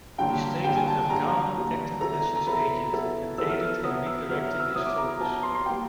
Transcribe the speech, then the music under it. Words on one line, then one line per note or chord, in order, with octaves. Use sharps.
He stated that Gala acted as his agent, and aided in redirecting his focus.
G2 D3 F#3 A#3 G5
G2 D3 F#3 A#3 G5
G#5
A5
G2 D3 F#3 A#3 A#5
G2 D3 F#3 A#3
F#3 B3 E4 A4 A#5
A#5
F#3 B3 E4 A4 B5
F#3 B3 E4 A4
F#3 B3 E4 A4 E6
F6
E6
F#3 B3 E4 D#6
E6
F#3 B3 E4 F6
F6
E6
F#3 B3 E4 D#6
D6
A#5
F#3 B3 E4 A5
A#5
C6
C6
E3 G3 A#3 G5